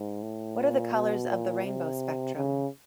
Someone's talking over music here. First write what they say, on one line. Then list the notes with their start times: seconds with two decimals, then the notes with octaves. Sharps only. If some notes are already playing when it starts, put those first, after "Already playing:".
What are the colours of the rainbow spectrum?
Already playing: G#2
0.23 A2
0.58 A#2
0.93 B2
1.29 A#2
1.65 C3
2.36 C#3